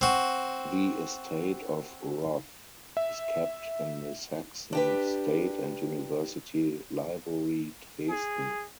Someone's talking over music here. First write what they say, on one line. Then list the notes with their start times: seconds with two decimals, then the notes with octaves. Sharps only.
The estate of Roth is kept in the Saxon State and University Library Dresden.
0.01 C4 F#4
2.97 E5
4.73 D4 G4 B4
8.08 G#4